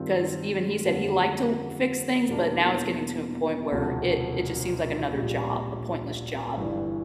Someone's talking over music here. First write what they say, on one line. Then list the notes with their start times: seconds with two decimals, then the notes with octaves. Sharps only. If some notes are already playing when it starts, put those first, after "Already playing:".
'cause even he said he liked to fix things, but now it's getting to a point where it it just seems like another job, a pointless job,
Already playing: G2 D#3 G3 C4 F4
0.85 F2 D3 G3 A#3 C#4
2.28 E2 B2 G3 A#3 D4
3.71 E1 D2 C3 F3 A3
5.14 A#1 A#2 G3
6.57 G1 G2 E3